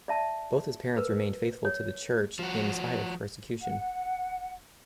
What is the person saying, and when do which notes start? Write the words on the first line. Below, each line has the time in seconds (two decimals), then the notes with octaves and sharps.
Both his parents remained faithful to the Church in spite of persecution.
0.08 D5 E5 A5
0.97 A#4 B4
1.65 C#5
2.39 F3 F#4
3.61 F#5